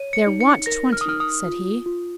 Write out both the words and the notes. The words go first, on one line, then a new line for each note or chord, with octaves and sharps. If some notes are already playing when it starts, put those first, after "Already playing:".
"There want twenty," said he.
Already playing: C#5 D#7
C#7
D#4
C#7
A#4 A#6
F6
D#6
D#4 F6
D#6
F4
F4